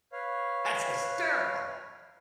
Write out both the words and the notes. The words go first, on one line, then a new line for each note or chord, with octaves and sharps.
that's hysterical.
B4 C#5 F5